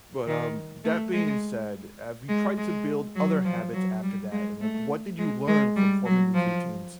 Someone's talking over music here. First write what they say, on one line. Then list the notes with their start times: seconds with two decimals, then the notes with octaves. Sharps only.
But, um, that being said, have you tried to build other habits after that? And, like, what did you learn from forming these routines?
0.27 D#3
0.84 A3
1.13 G#3
2.29 G#3
2.57 G#3
3.15 F#3
3.45 F3
3.73 F#3
4.03 G3
4.32 G#3
4.61 A3
5.18 G#3
5.48 G#3
5.76 G3
6.06 F#3
6.34 F3